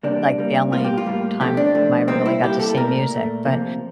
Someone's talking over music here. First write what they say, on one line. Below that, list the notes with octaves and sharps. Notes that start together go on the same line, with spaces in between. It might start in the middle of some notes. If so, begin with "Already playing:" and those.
like, the only time I ever really got to see music. But
C3 G3 A#3 D4
C3 G3 A#3
A2 G3 A#3 F4
G4
F4
A2 G3 A#3
C3 F3 A3 G4
D4
C3 F3 A3
C3 G3 A#3 C4
E4
C3 G3 A#3 G4
A4
A#2 A3 A#4
A#2 A3
C3 F3 A#3